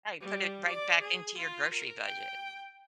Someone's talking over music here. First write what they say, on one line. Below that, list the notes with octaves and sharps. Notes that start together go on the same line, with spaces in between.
Right put it right back into your grocery budget.
G3
D5
G#4
F4
A#4
G5